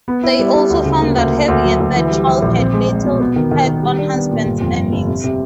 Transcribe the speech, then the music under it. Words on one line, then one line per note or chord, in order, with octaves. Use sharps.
They also found that having a third child had little impact on husbands' earnings.
B3
E4
G3
G3
D2
C#3
A#3
D2
A#3
D2
F#3
D2
E3
G3
E3
A#1
C4
G#3
G#3
B2
B3
D#3
D#3
D#3
G3
D4
B3
A#2
G1
F2
G1
G1
C3
C3